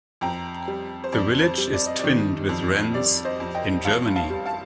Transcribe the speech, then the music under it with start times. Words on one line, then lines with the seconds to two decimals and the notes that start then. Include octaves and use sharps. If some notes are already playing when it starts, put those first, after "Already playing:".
The village is twinned with Rhens, in Germany.
0.21 F2 G5 A#5
0.68 G3
1.04 C5
1.12 F2 D5
1.43 C5
1.58 G3
1.73 D5
1.86 D#5
2.00 D#3 D5
2.49 F2
2.94 G3 D5
3.25 C5 D#5
3.40 F2
3.54 D#5 G5
3.85 A1 F5 A5
4.16 F5 A5
4.30 G3
4.45 F5 A5